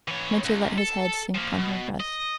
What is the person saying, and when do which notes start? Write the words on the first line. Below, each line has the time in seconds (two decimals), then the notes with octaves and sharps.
Mitya let his head sink on her breast.
0.08 E3 C#5
0.45 C#2
0.78 A4
1.35 F3 A#3
1.58 B2
2.00 D#5